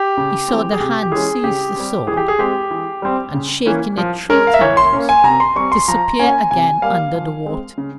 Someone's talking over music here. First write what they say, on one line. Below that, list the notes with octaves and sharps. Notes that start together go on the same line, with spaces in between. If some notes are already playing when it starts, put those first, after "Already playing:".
He saw the hand seize the sword, and shaking it three times, disappear again under the water.
Already playing: G4
C#3
E3 G#3 C4
G#4
C3 G4
G4
E3 G#3 C#4 G#4
C#3 G4
G3 C4
E3 G#4
G4
G#4
G#3 C4 G4
E3
G3 C4
C#3
E3 A#3 C#4
F3
G#3 C#4 A#4
F5
E5
E3 C#5
C6
A#3 C#4
G#5
C3 A#5
C6
G3 C4 C#6
C6
F3 A#5
A#3 C#4 G#5
C3 G#5
G3 A#3 F5
F3
G#3 C4
C#3